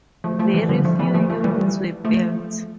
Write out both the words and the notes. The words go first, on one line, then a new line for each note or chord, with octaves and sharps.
Very few units were built.
F3 A3
F3 A3
E3 G3
D3 F3
F3 A3
E3 G3
F3 A3
F3 A3
E3 G3
F3 A3